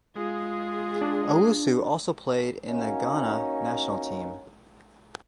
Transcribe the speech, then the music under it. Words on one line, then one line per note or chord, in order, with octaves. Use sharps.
Owusu also played in the Ghana national team.
G#3 F4 G#4
D4
A#3 C#4 D#4 F#4